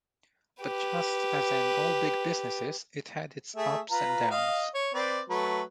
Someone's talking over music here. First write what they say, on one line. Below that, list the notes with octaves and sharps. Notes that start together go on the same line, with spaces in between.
But just as in all big businesses, it had its ups and downs.
G4 B4
A3 G#4 E5
F4 B4 A#5
D#5 F5
C#5
C4 B4 D5
F#3 A3 B4